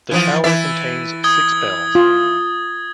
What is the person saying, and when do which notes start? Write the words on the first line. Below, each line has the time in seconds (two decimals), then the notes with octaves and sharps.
The tower contains six bells.
0.11 E3 F3 F4
0.44 E3 E4 E5 A6
1.24 D#6 G#6 G7
1.95 F4